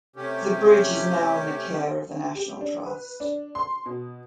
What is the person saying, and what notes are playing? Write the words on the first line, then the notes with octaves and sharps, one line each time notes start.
The bridge is now in the care of the National Trust.
C3 A3 C#4 G4
G4
D4
B4
D4
C6
B2